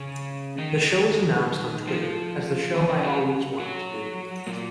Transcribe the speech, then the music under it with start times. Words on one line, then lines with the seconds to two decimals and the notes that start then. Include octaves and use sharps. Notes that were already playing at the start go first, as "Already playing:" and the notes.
The show was announced on Twitter as the show I always wanted to do.
Already playing: C#3 C#4
0.58 D#3 D#4
1.87 F3 F4
2.74 D#3 D#4
2.89 C#3 C#4
3.03 F#3 F#4
3.60 F#3 F#4
4.46 A#2 A#3